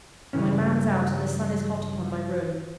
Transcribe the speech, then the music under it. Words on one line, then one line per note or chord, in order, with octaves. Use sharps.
My man's out, and the sun is hot upon my room.
G2 A#2 C#3 E3 C#4